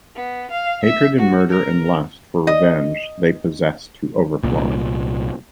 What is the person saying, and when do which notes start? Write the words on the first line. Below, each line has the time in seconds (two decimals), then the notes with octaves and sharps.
Hatred and murder and lust for revenge they possessed to overflowing.
0.15 B3
0.51 F5
0.83 E5
1.19 F#4
1.50 A#4
2.47 D#5
4.43 C2 A#2